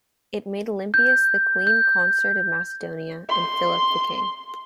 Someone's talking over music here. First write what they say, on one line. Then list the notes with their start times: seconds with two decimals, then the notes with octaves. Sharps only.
It made Olympias the queen consort of Macedonia, and Philip the king.
0.94 G6
1.67 G6
3.29 C6